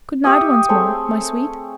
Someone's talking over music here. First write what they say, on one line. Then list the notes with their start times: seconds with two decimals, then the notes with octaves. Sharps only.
Good-night once more, my sweet.'
0.24 G4 E5 C#6 D#6
0.69 A3 C4 G#4 C#5